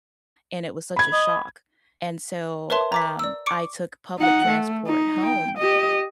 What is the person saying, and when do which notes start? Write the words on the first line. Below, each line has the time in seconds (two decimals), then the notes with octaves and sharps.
and it was such a shock. And so, um, I took public transport home,
0.96 B5 G#6
1.13 D#5
2.70 A#4 B4 C#5 E5 A5 C6
2.92 A#5 D6 B6
3.19 D5 E6
3.46 C#6 D6 C#7 D7
4.19 D#4 F#5
4.48 A3
4.87 D#4
5.24 G5
5.58 G4 D#5